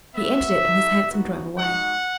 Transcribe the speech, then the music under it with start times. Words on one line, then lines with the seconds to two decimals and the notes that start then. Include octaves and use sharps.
He entered it, and his hansom drove away.
0.15 B3 F#4 E5
0.62 A3 D#4 F#4
1.09 B3 D#4 F#4
1.56 G#3 D#4 F#4 F#5